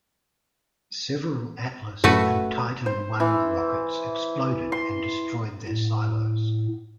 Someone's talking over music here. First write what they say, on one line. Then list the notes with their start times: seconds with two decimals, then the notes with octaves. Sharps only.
Several Atlas and Titan I rockets exploded and destroyed their silos.
2.04 F#2 A2 A3 F#4 B4
2.86 C5
3.20 E3
4.72 C6
5.68 A2